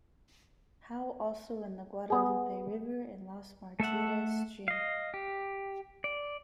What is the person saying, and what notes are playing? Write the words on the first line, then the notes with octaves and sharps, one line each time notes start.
How also in the Guadalupe River and Los Martires stream.
B3 G#4
A3 A4 E5 F#5
D#5 F5
G4
D5